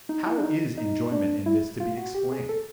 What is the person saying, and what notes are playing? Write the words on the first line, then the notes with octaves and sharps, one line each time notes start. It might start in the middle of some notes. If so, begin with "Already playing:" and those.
How is enjoyment in this to be explained?
D#4
E4
D4
D#4
D#4
D4
E4
F4
F#4
G4
G#4
A4